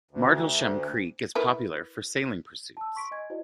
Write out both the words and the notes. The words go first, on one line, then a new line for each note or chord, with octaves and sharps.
Martlesham Creek is popular for sailing pursuits.
D2
E4 A#4 B4
A5 E6
C6 C#6 B6 D7
D#5 G#5 G#6
E4 F#4 C5 D5 D#5